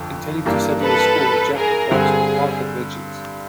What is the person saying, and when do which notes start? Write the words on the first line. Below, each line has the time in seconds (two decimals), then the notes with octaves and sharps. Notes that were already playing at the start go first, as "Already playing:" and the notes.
Intending to settle the score, Jack embarks on a path of vengeance.
Already playing: G1 F2
0.46 G2 E3 G3 A#3 D4
0.81 A4 B4
1.55 G#4 A#4
1.90 G2 D3 G3 C4 G#4